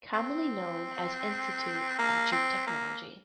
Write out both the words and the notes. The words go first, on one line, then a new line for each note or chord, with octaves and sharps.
Commonly known as Institute of Jute Technology.
C4
A#3
C4
A#3